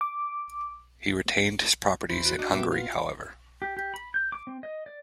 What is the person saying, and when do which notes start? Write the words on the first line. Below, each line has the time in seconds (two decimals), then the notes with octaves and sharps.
He retained his properties in Hungary however.
0.01 D6
2.09 E2 C5 B5
2.25 F#4
2.39 D4 D#4
2.53 A#2 G3 B3 E5 D6
2.72 F4
3.62 G4
3.77 G4
3.94 B5
4.14 G6
4.32 D6
4.47 C4
4.63 D#5
4.86 D5